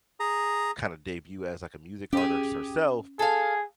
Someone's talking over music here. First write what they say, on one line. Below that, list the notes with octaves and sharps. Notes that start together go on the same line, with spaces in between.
kinda debut as, like, a music artist herself,
G#4 A#5
C#4 G4 G#4
G#4 A4 F5